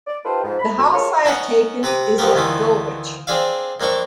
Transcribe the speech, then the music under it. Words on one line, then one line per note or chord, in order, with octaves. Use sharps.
The house I have taken is at Dulwich.
D5
D#4 F4 G4 A4 B4 C5
G#2 F3
B5
D2
G#3 F4 A4 A#4 C#5
B3 C#4 D#4 C#5 F#5
C3 B4 A#5 D6 D#6
F#2 F3 A3 B3 G4 A#4
D2 D#3 E3 A3 B3 F4
C4 D4 G#4 D5 E5 F5
F2 A#3 D4 A4 C#6